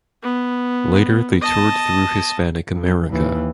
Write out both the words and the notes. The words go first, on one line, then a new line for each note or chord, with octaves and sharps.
Later they toured through Hispanic America.
B3
D#5 A5
F2
D#2 E3